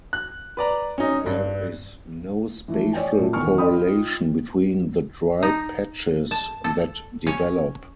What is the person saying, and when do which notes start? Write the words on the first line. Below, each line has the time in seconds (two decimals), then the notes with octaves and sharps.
There is no spatial correlation between the dry patches that develop.
0.13 F#6
0.57 B4 D5 A#5
0.98 C#4 D#4
1.26 G2
2.68 E3 F3 A3
2.93 C#5 D5 G5 G#5
3.18 A#2 A3
3.33 E2 D#3 G5 G#5 C#6 F6
3.58 F4 D#5 G5 B5 D#6
5.43 D#4
6.31 A5
6.64 A4
7.27 C#4